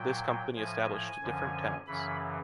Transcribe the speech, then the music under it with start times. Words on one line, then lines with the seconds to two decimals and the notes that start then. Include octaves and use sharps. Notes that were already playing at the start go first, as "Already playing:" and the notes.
This company established different towns.
Already playing: A#2 F#3 G5
0.55 A2 F3 G#5
1.21 F#2 D3 F3
1.87 F#2 C#3 E3 B5